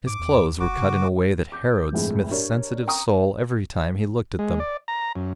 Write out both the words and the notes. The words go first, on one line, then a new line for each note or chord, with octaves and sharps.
His clothes were cut in a way that harrowed Psmith's sensitive soul every time he looked at them.
G#2 D6
E2
F1 F#4 D6
C#3
D6 G6
G1 F2 A2 G#3
D4 G4 A#4 C#5
G5 A#5 C#6 D#6
G#3
D5
A#5
F#2